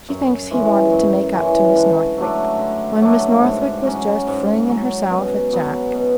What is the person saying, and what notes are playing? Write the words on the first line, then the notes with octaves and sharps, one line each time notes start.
She thinks he wanted to make up to Miss Northwick, when Miss Northwick was just flinging herself at Jack.
F#2
E3 G#3 C#4
F#2
E3 G#3 C#4
D3
F#3 A3 D4
D3
F#3 A3 D4
G#2
F#3 C#4
G#2
F#3 C#4
B2
F#3 B3
B2